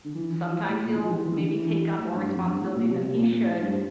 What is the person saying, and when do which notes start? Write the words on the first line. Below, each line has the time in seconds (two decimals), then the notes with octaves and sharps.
sometimes he'll maybe take on more responsibility than he should,
0.05 D3
0.15 E3
0.33 E3
0.69 A2
0.83 A#2
0.96 E3
1.05 F3
1.11 E3
1.24 E3
1.37 D3
1.50 E3
1.98 A2
2.16 G2
2.35 F2
2.48 G2
2.61 A2
2.75 A#2
2.89 C3
3.02 C3
3.17 A#2
3.30 A#2
3.44 A2
3.63 G2